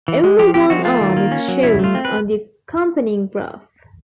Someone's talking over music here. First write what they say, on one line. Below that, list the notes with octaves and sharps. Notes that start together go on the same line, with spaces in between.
Only one arm is shown on the accompanying graph.
E3
G#3
F3 G4
C4 G4
F3 F#4
A3 F4
D#3
A#3
C#4
F#3
C#3 E4
A3 F4
C4
B4